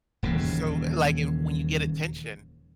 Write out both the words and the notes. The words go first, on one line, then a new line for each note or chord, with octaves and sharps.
So, eh, like when you get attention
D#1 D#2 C#3 E3